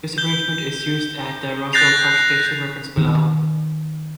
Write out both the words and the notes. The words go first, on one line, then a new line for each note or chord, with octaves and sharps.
This arrangement is used at the Roselle Park Station referenced below.
G6 G7
F#6 G6 A6 A#6 C7 F7
D#3 B3